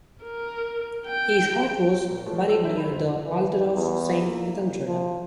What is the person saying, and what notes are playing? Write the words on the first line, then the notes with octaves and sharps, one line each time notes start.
His heart was buried near the altar of Saint Etheldreda.
A#4
G5
A#2 A#3
F3 G#3 A3 F4 B4 C#5
C5 C#5 A5 E6
D#1 E3 F#3 E5 G6
B5
E1 C5 F7
E3
E2
A#3
F3